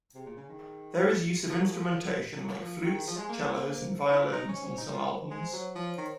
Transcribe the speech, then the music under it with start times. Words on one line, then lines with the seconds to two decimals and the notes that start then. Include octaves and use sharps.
There is use of instrumentation like flutes, cellos and violins on some albums.
0.15 C3 G#4
0.26 A#2
0.37 C#3
0.49 D#3
1.50 F3 A#4
1.59 F#3
1.68 F3
2.39 F#3
2.61 F3
2.84 D#3 G#4
2.94 D#3
3.07 F3
3.17 G#3
3.29 A#3
3.74 C5
4.10 D#4
4.18 F4
4.33 D#4
4.49 C#4
4.63 C#4 C5
4.78 D#4
4.93 F4
5.31 G#3
5.46 C5
5.53 F#3 C#5
5.75 F3
5.98 D#3